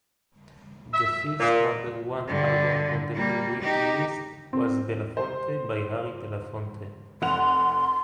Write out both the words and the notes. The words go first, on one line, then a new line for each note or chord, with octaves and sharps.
The first number-one album on the new weekly list was "Belafonte" by Harry Belafonte.
E5
A#2
G2 D3
G3 A#3
D#4 G4
C4
C5
F1 F#5 C6 F7